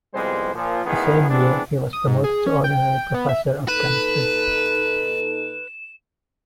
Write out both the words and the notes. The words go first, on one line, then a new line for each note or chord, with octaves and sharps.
The same year, he was promoted to Ordinary Professor of Chemistry.
C2 F2 G3 G#3 B3 C5
A#2 F3
A1 G#2 D#3 B3 E4 G#4
E3 G#3 B3 C4 D4
D#6
G#2
G#4
C#4
G5
B3
E5
A#2 D#4 A4 B4 E7